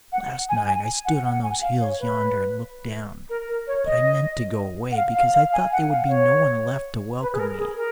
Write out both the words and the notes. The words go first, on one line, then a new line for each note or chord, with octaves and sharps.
Last night I stood on those hills yonder and looked down, but I meant to go away because I thought there would be no one left to welcome me.
F#5
G#5
G#5
G#5
F#5
F#5
G#5
F5
C#5
B4
A#4
A#4
C#5
D#5
F#5
F5
F5
F5
G#5
F#5
F5
C#5
B4
G#4
A#4
G#4
A#4